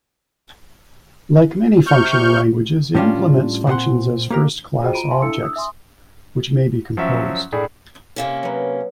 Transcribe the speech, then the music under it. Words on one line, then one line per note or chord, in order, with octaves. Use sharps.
Like many functional languages, it implements functions as first-class objects, which may be composed.
C3 C#6 F6 G6
A2 G3 C#4 D4 F4
A#2 C4 G#4 F#5 C6
A#3 G4 A#4
F4 F#4 G#4 C5 D#5 G5
F4 A#5 B5 D7 D#7
E5 F5 G#5 A5 C6
D4 E4 A4 E5 E6 C#7
D#6 E6
E5 G#5 C6 D#6
F3 F#3 C#4 E5
A2 D4 G#4 D5 B5
C3 A#3 C#4
F#3 B3